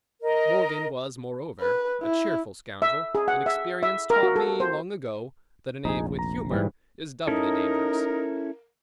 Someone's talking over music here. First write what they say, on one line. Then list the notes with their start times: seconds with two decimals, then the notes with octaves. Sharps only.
Morgan was, moreover, a cheerful scoundrel, and experience taught me long ago that a knave with humor is doubly dangerous.
0.21 A#4 D#5
1.61 B4
2.03 E4
2.82 E5
3.15 G#4
3.28 F#5
3.46 E5
3.83 E5
4.10 A#4
4.23 F#4
4.36 A4
4.60 C5
5.85 F1 A#1 D#4 G#4
6.19 A#5
6.51 G#2 E3 G3
7.27 C#4 D#4 E4 A4 A#4